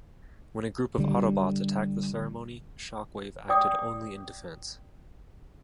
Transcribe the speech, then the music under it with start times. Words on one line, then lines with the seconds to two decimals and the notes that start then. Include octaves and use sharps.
When a group of Autobots attacked the ceremony, Shockwave acted only in defense.
0.98 D3 G3
3.49 D5 G5 D6 D#6